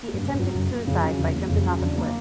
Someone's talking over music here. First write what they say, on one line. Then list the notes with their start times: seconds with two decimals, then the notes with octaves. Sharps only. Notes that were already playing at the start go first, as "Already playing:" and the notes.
He attempted suicide by jumping off a cliff.
0.08 A#3
0.14 G2
0.24 C#3
0.34 G2
0.39 F#3
0.55 F#2 C#3
0.71 A#3
0.87 F2 C#3
1.03 F#3
1.19 E2 C#3
1.34 A#3
1.49 F2 C#3
1.65 F#3
1.81 E2 D4
1.98 A#3